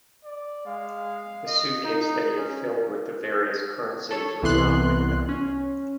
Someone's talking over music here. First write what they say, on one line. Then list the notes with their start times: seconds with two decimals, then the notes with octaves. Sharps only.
The suitcase that he had filled with the various currencies was not with them.
0.24 D5
0.66 G#3 F5
1.47 D#5
1.84 D#4
2.37 C#4
4.11 A4 C#5
4.43 C2 E3 B3 C6 F#6
5.29 C#4